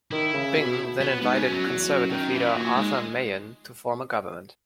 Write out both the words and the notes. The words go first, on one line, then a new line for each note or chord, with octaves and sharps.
Byng then invited Conservative leader Arthur Meighen to form a government.
D#3 E4
C#3
B2
B3
G#2 B3
C#4
F#2
F#3
E2
F#2
D#3
E3
A#2 F#3
G#2 G#3